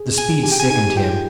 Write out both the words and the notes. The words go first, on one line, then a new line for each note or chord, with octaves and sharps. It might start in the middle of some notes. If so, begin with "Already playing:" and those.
The speed sickened him.
Already playing: G#4
G#5
G4 G#5
G5
G#5
D#4 G#5
G4
F4 G5